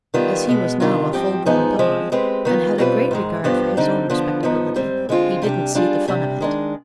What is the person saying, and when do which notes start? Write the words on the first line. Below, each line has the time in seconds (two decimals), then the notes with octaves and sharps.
As he was now a full-grown dog, and had a great regard for his own respectability, he didn't see the fun of it.
0.14 D#3 G3 B3 F4
0.47 B2 G#3 B3
0.80 C3 D#3 G3 D4 F4
1.13 G#2 F3 C4 G4
1.46 G#2 F3 B3 D#4 G#4
1.79 F3 G#3 C4
2.12 G#3 C4 G4 B4
2.45 D#3 B3 F4
2.78 B2 G3 C4 F4 B4
3.11 G#2 D#3 G#3
3.44 G2 F3 B3 D4 G4
3.77 D3 G3 C4 D#4
4.10 D3 F3 B3 D4 F4
4.43 G2 F3 B3 D#4
4.76 G#2 G3 C4
5.09 D3 G#3 C4 F4
5.42 C3 G3 D4 G4
5.75 G3 D4 F4 G#4
6.08 C3 G3 D4
6.41 D#3 G#3 D4